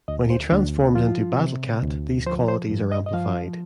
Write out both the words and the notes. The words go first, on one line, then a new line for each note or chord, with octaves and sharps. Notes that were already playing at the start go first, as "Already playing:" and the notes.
When he transforms into Battle Cat, these qualities are amplified.
D2 D#5
C5
D2 D4
F3 F4
C3
D2
F3 C5
C5
G2
D#5
D#5
F3 F5